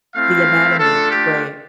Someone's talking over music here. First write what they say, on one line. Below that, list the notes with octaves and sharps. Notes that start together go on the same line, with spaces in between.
The anatomy. Right.
A3 C4 E4 F5
A3 D4 F4 A4
G4